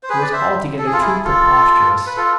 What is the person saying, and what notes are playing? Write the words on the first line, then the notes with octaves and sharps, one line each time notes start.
It was altogether too preposterous.
C5
G#4 B4
D5
C5 E5
A4
G#4
F4 A4
E4 G#4
F4 A4
B4
F4 A4